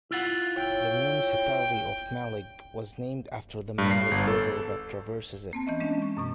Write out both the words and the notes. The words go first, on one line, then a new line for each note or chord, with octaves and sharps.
The municipality of Mallig was named after the Mallig river that traverses it.
E4 F4 F#5
C#5 G5
G2
C7
G1
A4
A#3 C4 A5
E3 B3 C#4 D#5 E5
G#3 C#4 D4
C#6
F#2 B2 C#6